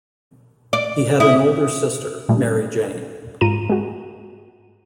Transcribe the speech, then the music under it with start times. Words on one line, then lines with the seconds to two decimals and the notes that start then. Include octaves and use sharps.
He had an older sister, Mary Jane.
0.73 D5
1.20 E4 D#6
2.29 A#2 G3 A3
3.41 G#2 F4 A#5 D#7
3.70 G#3 F#4